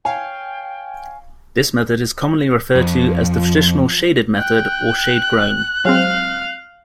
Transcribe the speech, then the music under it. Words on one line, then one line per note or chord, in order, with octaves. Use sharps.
This method is commonly referred to as the traditional shaded method, or "shade-grown".
C#5 F5 G5 G#5
F2 F3
G5 F#6
F#3 G#3 C4 F5 F6